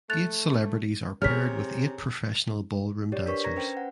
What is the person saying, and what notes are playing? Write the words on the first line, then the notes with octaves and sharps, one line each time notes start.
Eight celebrities are paired with eight professional ballroom dancers.
A3 F#6 A6 F7
C3 G#4 A#4 C#5 F6 B6
G4 C#5 D5
D4 A#4 B4 C#6 B6
A#5 G#6 A#6
C#4 B4 C5 G5
F#5